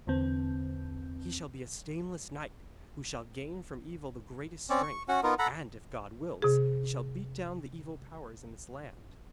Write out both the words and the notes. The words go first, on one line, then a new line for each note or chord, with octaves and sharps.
'He shall be a stainless knight, who shall gain from evil the greatest strength, and, if God wills, he shall beat down the evil powers in this land.'
E2 D3 C4
C4 C#4 D5
C#6
C#4 F#4 F#5
B3 D#4 F4 A#4
A4 F#5 A#5 B5
C3 G#4